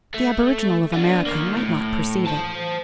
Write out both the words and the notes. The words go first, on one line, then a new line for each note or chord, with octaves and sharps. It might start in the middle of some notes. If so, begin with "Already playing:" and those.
The aboriginal of America might not perceive it.
A3
B3 D4
D#3 A#3
A2
C5 A5